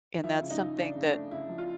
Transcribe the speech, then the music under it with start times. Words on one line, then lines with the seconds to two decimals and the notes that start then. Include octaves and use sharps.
And that's something that
0.24 F3 E4
0.42 C#3
0.50 D#4
0.60 C#3
0.77 C#3 D4
0.96 C#3
1.05 D4
1.13 A3
1.31 C#3 E4
1.49 F3
1.58 F4